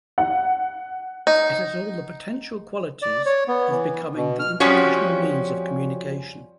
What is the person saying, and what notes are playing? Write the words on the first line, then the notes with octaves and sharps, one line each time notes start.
It has all the potential qualities of becoming the international means of communication.
F#5
D#4
D5
C#5
B3
E3
B2
F6
F2 F3 G3 C#4 F#4